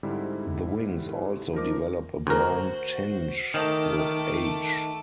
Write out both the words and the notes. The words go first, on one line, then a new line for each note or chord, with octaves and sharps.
The wings also develop a brown tinge with age.
G#2 D3 G3 C4 E4
F3 D#4 A#4 D6
D2 F#4 A#4 C5
D#3 A3 D6